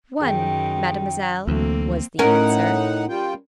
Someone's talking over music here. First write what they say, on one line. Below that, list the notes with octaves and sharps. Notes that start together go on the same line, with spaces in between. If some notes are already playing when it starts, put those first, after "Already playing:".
"One, mademoiselle," was the answer.
F#2 D#3 G#4 G5
D2 E3 F#3 A3 A#3 C4 A4
A2 C#4 D#4 A#4 F#5
G3 F4 G5